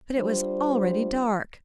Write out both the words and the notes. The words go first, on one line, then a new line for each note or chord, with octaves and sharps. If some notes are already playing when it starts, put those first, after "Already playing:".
But it was already dark.
G3 D4 F4 C5